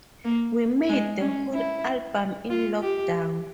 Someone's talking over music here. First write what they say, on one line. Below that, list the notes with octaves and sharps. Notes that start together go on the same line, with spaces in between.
We made the whole album in lockdown.
A#3
G#3
C#4
E4
F4
G4